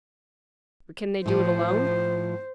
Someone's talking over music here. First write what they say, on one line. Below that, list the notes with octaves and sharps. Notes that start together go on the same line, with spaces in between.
"But can they do it alone?"
A2 F3 C5